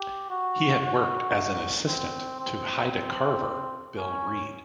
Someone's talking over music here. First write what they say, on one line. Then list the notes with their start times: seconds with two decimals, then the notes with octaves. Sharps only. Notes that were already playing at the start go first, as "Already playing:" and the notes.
He had worked as an assistant to Haida carver Bill Reid.
Already playing: G4
0.30 F#4
0.82 F#4
1.88 C4
2.40 C4
3.97 C#4